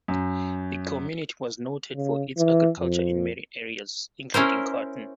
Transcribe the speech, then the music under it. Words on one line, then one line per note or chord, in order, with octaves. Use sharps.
The community was noted for its agriculture in many areas, including cotton.
F#2
C#3
E3
F2
C#4 E4 A#4 C5